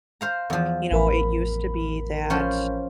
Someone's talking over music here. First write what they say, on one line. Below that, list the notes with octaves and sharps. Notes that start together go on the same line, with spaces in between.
You know, it used to be that,
C5 F5 A#5
E2 F3
A1 A#4 B5
F3 C#4 C5